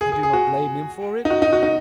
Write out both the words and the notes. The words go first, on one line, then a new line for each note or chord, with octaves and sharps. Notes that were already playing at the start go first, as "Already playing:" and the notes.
'I do not blame him for it.
G#4
G#4
G#4
F#4
D#4
F#4
D#4
F#4
D#4